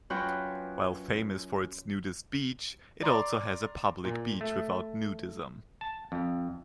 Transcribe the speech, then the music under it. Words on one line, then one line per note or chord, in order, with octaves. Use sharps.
While famous for its nudist beach, it also has a public beach without nudism.
F#2 F4 F#4 B4 G5
D5 A#5 C6 D6
A#2
A3
A5
F2